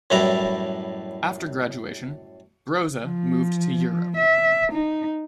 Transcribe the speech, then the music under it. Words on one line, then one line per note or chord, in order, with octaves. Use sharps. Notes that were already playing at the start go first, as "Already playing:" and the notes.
After graduation, Brose moved to Europe.
F#2 A2 G3 E4 B4 A#5
F3
E5
D#4